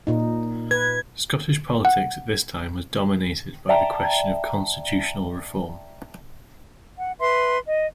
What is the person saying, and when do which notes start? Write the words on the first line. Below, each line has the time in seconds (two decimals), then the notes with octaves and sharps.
Scottish politics at this time was dominated by the question of constitutional reform.
0.07 A#2 D#4
0.71 B4 G#6
1.85 F#5
3.69 D5 E5 G5 A5 A#5
6.99 F#5
7.19 B4 E5 C6
7.66 D#5